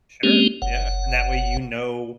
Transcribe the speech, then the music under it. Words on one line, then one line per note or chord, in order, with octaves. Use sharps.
Sure, yeah. And that way you know
G#3 A#3 C4 C#4 G4
F#1 F#5